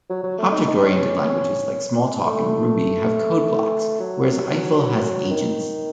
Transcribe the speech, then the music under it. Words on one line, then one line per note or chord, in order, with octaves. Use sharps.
Object-oriented languages like Smalltalk and Ruby have code blocks, whereas Eiffel has agents.
F#3
F#3
A3
D#4
D#4
C#4
A3
F#3
F#3
D#3